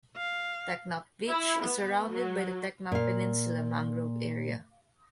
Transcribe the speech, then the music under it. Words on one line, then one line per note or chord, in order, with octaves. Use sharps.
Teknaf beach is surrounded by the Teknaf peninsula mangrove area.
F5
E4
B3
F#3
A#2 F5